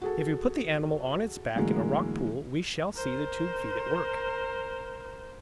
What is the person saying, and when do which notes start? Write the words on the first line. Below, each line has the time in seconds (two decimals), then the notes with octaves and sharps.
If we put the animal on its back in a rock-pool we shall see the tube-feet at work.
0.02 F#4 G#4 A4
1.56 A2 D3 E3 F#3 G#3 A#3
2.95 A#4 C5